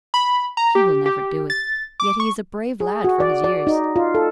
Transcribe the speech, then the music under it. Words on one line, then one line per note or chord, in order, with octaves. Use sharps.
"He will never do it, yet he is a brave lad for his years."
B5
A#5
G4
G4
A6
D6
C#6
G#4
F#4
D5
D5
D#4
F4
A4